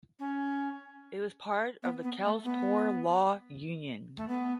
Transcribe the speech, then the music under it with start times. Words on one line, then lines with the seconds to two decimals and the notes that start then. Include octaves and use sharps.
It was part of the Kells Poor Law Union.
0.19 C#4
1.83 B3
2.03 B3
2.24 A3
2.44 B3
4.17 A3
4.28 B3